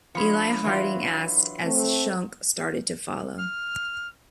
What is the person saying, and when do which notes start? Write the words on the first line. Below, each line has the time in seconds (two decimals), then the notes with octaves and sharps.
Eli Harding asked, as Shunk started to follow.
0.15 F3 D4 B5 C#7
0.64 E3 F#3 F4
1.64 A3 C4
3.38 F6